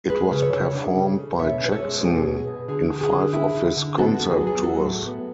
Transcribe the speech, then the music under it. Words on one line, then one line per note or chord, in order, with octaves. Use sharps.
It was performed by Jackson in five of his concert tours.
G#3 G#4 B4
C#3
A4 C#5
C#3
D4
C#3
C#3
B2 C#5 E5
C#4 B4
A4 C#5
G#3
B2 G#4
B2
G#4
B2
D3 G#4
D3
G#4
D3
E4
D3
D3
B3 F#4 A4
F#4
B3
G#4
F#3
G#4
F#3 F#4 A4
A2
B3